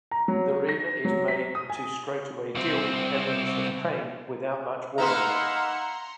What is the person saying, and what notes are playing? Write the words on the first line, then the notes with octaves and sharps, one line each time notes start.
The reader is made to straightaway deal with elements of pain without much warning.
A#5
F#3
A#6
F#3
B6
D#6
G#5
C2 C4
A#3 B3 D#4 E5 F#5 A#5 C6 F6